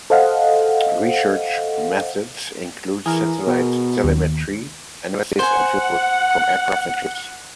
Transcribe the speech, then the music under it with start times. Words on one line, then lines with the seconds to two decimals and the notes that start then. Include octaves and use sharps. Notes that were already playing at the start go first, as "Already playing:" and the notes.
Research methods include satellite telemetry analysis and fieldwork from aircraft and ships.
0.10 A4 C5 D#5 F5 F#5
3.06 E3 G#4 A#4
3.47 B2
4.04 D#2
5.39 C5 F#5 G#5